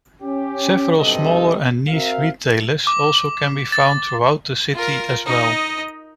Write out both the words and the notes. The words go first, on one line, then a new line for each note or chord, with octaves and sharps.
Several smaller and niche retailers also can be found throughout the city as well.
C#4 G4
B1 G2 C3 G4 A4 D#5
C4 F#4 A#4 E5 F5
D6
A6
F4 A#4
D#4 D#5